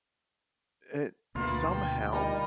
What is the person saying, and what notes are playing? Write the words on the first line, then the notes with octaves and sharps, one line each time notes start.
it somehow,
D2 B2 A#3 B3 E4 F4 F5
G5
G3 D#4 A#4